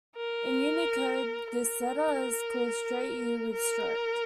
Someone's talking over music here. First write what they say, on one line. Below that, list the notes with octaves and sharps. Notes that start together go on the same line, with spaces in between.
In Unicode, this letter is called "Straight U with stroke".
A#4
A#4
A#4